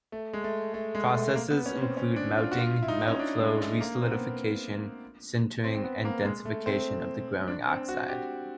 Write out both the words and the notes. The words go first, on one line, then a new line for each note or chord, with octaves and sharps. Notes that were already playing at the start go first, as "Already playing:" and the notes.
Processes include melting, melt-flow, re-solidification, sintering and densification of the growing oxide.
A3
G#3
A3
A3
G#3
A3
A#3
B3
C#4
C4
C#4
D4
F4
F#4
F4
E4
D#4
C#4
D4
G#3
A3
A#3
C4
B3
C4
C4
B3
A#3
G#3
A3
C4
D4
C4
F#4
G4